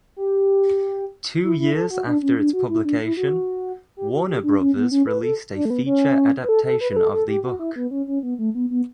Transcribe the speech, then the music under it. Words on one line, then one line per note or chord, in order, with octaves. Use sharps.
Two years after its publication, Warner Brothers released a feature adaptation of the book.
G4
E4
E4
A4
F#4
D4
C#4
D4
F#4
E4
D4
E4
F#4
G4
F#4
G4
D4
C#4
B3
C#4
B4
A4
D4
A3
B3
C#4
B4
A4
A4
B4
B4
A4
A4
G4
F#4
E4
B3
C#4
C#4
B3
A3
B3
B3